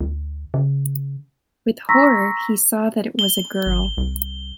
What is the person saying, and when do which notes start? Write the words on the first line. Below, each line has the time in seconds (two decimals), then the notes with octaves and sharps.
With horror he saw that it was a girl.
0.01 D2
0.54 C#3
1.89 A#5 C6 C#6 E6 A#6 B6
3.19 G7
3.66 G#1
3.97 C2